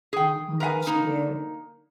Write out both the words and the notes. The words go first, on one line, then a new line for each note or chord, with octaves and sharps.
Mhm. She did.
G#4 G5
A#4 B4 F5 G#5
A#3 D#4